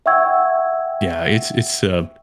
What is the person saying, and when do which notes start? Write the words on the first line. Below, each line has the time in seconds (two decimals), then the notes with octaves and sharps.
Yeah, it's it's, uh
0.06 E5 F#5 G5 C#6 E6 G#6